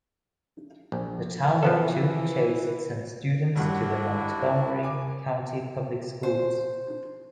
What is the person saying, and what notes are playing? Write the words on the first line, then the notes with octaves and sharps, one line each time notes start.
The town of Chevy Chase sends students to the Montgomery County Public Schools.
A#1
E3 F3 B3 A4
A1 G2 D4 E4 F#4 F#5
G#5 D6
C5